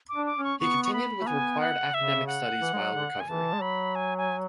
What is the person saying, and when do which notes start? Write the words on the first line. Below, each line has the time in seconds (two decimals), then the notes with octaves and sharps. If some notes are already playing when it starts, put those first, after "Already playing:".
He continued with the required academic studies while recovering.
0.09 D6
0.15 D4
0.26 D6
0.38 C#4
0.44 C#6
0.60 B3 C#6
0.85 C#6
0.93 B5
1.21 A3
1.27 B3 G#5
1.60 F#5
1.94 C#3 E5
2.27 F#5
2.61 E3
2.73 G#3
2.78 F#3
2.94 D3
3.20 G#5
3.28 E3 A5
3.53 G#3
3.62 F#3 B5
3.95 G#5
4.18 G#5